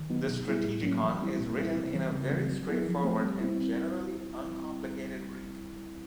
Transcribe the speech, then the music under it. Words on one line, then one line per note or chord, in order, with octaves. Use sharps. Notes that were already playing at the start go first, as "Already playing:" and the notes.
The Strategikon is written in a very straightforward and generally uncomplicated Greek.
Already playing: D#3
F#3 B3 D#4
B2
G3 B3 E4 G#4
A2
F#3 A#3 C#4
E3
G3 C4 E4
A#2
G3 C4 E4
C3
E3 G3 C4
C#3
E3 G3 C4
F#3
B3 E4 G#4
F3
A3 C4
G3
C4 E4